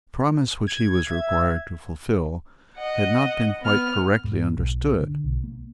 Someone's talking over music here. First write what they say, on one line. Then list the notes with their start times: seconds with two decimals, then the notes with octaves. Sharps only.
The promise which he was required to fulfil had not been quite correctly understood.
0.67 G#6
1.09 E5
2.77 D#5 F#5
3.62 B3 F6
4.24 G#2
4.57 B1
5.00 D3
5.24 B1
5.44 A#3